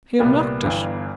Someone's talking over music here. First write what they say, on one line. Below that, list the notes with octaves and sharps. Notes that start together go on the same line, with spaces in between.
He unlocked it.
C2 A#2 G3 A#3 B3
G1 G2 E3